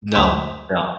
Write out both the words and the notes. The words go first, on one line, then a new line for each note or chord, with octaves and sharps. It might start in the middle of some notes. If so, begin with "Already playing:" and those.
No, no,
D2 C5 B6